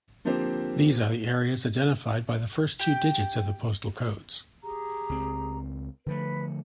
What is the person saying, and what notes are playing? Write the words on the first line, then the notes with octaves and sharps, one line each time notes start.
These are the areas identified by the first two digits of the postal codes.
D3 F3 A#3 C4 G4 C5
G4 G5
G4 G#4 A#5
C#2 C4
D3 F3 A3 B4